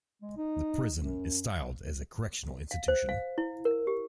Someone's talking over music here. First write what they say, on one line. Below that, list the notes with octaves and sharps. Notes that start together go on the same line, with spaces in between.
The prison is styled as a correctional institution.
G#3
D#4
F#2
F5
C5
F5
E4
A#4
G4